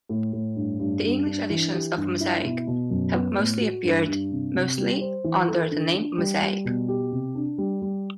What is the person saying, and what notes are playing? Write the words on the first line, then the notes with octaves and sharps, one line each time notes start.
The English editions of "Mosaik" have mostly appeared mostly under the name "Mosaic".
A2
A2
G2
G2
G2
D4
E3
G4
G2
E4
B2
B2
F#2
B3
A2
F#4
G2
G2
C3
C3
G3
C5
E3
A4
D3
D4
G3
G3
B2
G4
C3
D4
G3
G3